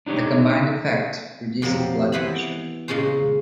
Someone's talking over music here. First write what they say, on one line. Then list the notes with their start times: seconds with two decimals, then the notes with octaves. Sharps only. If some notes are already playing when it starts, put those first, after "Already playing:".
The combined effect reduces blood pressure.
0.06 D4 D#4 G4 C#5
1.62 F2 C3 F#3 G3 A#3
2.12 E3 B3 B4 C5 E5 B5
2.88 A#2 C#3 G#3 C#4 C5